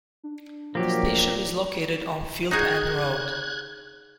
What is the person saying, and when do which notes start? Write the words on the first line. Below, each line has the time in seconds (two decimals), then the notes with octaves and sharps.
The station is located on Field End Road.
0.23 D4
0.75 A#2 F3 F#3 A#3 G4
2.51 D#4 F#4 G#4 F#6 G#6